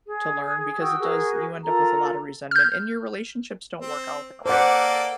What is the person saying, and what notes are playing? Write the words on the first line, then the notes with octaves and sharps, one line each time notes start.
to learn because it does you end up with a lotta resentment, and your relationships don't work out that way.
G#4
F#4 G5 D#6 E6
F#4 G#4 A#4
F4 A4 A#4 A#5
F6 G6
C4
A#3 A4 C5 D5 F#5